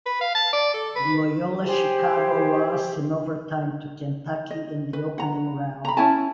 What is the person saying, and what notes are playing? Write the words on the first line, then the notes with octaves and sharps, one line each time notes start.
Loyola Chicago lost in overtime to Kentucky in the opening round.
B4
F5
A5
D5
A4
B4
G4 G#4 C5
D#5
B4
F#5 A#5
A#5 B5
C#4 E4 G#5 A5